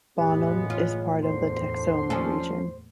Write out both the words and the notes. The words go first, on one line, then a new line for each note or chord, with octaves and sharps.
Bonham is part of the Texoma region.
F#1 E2 A2 C#3 G#3 B3 G4
F4 C#5
D3 C5 C6
F3 C#4 A4